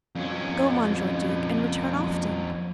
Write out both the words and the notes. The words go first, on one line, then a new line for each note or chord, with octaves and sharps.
Go, Monsieur Duke, and return often.
F2 C#4